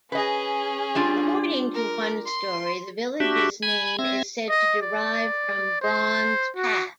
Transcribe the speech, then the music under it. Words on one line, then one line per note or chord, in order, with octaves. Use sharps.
According to one story, the village's name is said to derive from "Brawn's Path".
C#4 G#4 B4 D#5
G3 D4 F4
A#4
C6
D4 F#4 G4 E5
G#5 B5 G#6
C4 E5 G#6 A#6
D#5
D5
C5
F#4